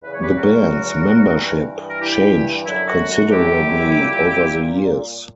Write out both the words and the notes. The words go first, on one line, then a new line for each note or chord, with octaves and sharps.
The band's membership changed considerably over the years.
E2 C#3 F#3 B4
C#5
G4 B4
F#4 A#4
G2 E3 G3
A#4
E4 G4
F#2 D3 F#3 E4
F#4
F#4
E4 G4
A#2 G3